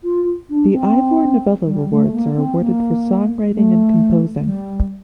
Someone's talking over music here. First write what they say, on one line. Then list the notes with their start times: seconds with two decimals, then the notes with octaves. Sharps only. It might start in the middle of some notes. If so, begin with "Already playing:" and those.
The Ivor Novello Awards are awarded for songwriting and composing.
0.04 F4
0.50 D4
0.73 C4
1.66 G3
1.90 A3
2.12 A#3
2.37 C4
2.59 A#3
3.53 A3
4.39 A3
4.45 G3